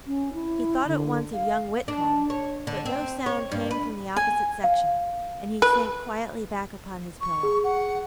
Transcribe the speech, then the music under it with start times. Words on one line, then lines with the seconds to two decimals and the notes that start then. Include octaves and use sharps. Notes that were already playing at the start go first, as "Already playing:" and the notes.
He thought at once of young Whitcomb, but no sound came from the opposite section, and he sank quietly back upon his pillow.
0.07 C#4
0.33 E4
0.87 D3
1.33 F5
1.88 D4
2.30 C#5
2.67 D3
2.85 C4
3.26 C#5
3.51 G2
3.71 B4
4.16 G#5
4.64 F5
5.62 B4
7.21 C#6
7.43 G#4
7.64 F#5